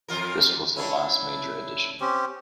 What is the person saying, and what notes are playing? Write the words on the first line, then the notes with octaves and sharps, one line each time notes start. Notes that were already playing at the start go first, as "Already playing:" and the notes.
This was the last major addition.
F2 F4 A#4
C#4 D4 E4
C4 C#4 G4